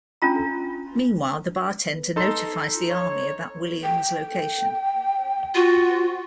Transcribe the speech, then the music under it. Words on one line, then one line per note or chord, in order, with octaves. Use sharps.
Meanwhile, the bartender notifies the army about Williams' location.
C#4 D4 F4 A#5
D#4 A4 C6
C#5
G5
F4 F#4